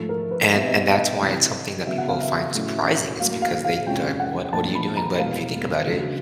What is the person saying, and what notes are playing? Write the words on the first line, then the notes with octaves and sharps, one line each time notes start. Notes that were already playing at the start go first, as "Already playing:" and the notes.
And and that's why it's something that people find surprising, it's because they they're like, "What what are you doing?" But, if you think about it,
Already playing: G#2 F3 A3 A4
A#4
B4
B2 G3 C4 E5
D#5
D5
D#5
C3 E3 G3 C4
C#3 F#3 B3 E5
F#5
F5
E5
A2 F#3 A3 C#4
A2 F#3 A#3 F5
F5
F5
F2 C3 F3 G#3 C#4 G5
F#5
A#2 F3 A3 D4 A5
B5
A#5
E2 B2 G#3 F5
C#3 F#3 A3 D4